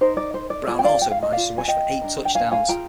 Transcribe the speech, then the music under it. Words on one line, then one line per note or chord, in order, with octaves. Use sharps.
Brown also managed to rush for eight touchdowns.
D#4 A#4 C5
D5
C5
D5
F4 G#4 D5
G5
D5 F5
G5
F5
D#5
F4 A#4 D5 F5
G#5
D#5 G5
D4 F4 A#4
G5
F5 G#5
F5 G#5
F4 G#4 G5 A#5